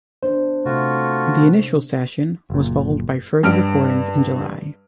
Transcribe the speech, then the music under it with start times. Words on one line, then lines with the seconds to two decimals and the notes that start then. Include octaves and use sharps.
The initial session was followed by further recordings in July.
0.23 B3 D4 B4 C5
0.65 C3 A3 F4 F#4
2.50 F#1 A#2
3.43 G2 F6 D7